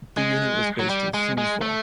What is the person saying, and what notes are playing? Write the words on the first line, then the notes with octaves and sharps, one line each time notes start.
The unit was based in Sundsvall.
G#3
F#3
G3
G#3
G#3
A3